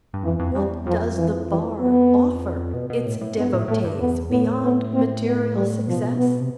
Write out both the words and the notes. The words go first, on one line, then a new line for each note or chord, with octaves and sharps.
What does the Bar offer its devotees--beyond material success?
G2
F2 E3
F2
F2 G3
E2
F2 F3
E3
E3
B3
B2
B2
A2
A2
G2 B3
A2
A2 A3
G2
E2 B3
A2 B3
B3
C4
B3
G3
B2 F3
B3
C3